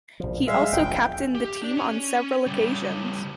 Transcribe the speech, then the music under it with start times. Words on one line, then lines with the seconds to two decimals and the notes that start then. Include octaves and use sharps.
He also captained the team on several occasions.
0.20 A#1 F3
0.47 G3 G#3 E5 F5
0.72 E1 A#1 F2 G5
1.35 G4
1.62 D4 D5
1.77 C#4
2.47 C#3 G3